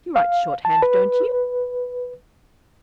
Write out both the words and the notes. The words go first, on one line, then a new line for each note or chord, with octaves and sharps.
You write shorthand, don't you?'
F5
A5
B4